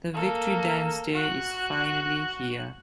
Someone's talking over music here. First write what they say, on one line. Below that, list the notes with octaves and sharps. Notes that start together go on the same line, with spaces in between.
The Victory Dance day is finally here.
A#3 A4
F#4 F#6